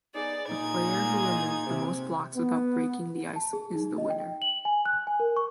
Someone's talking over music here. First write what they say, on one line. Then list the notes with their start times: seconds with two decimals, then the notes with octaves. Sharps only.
The player who removed the most blocks without "breaking the ice" is the winner.
0.15 B3 D#4 G#4 D5
0.49 A#2 D#4 G#4 G#6
1.66 C3
2.36 B3
3.36 A5
3.53 G#4
3.76 D#4
3.98 D#5
4.10 G5
4.42 F#7
4.65 G#5
4.86 F#6
5.07 G#5
5.20 A#4
5.37 C#6